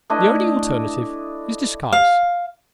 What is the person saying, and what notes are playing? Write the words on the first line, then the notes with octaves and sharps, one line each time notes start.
The only alternative is disguise.
A3 D4 E4 D#5
F5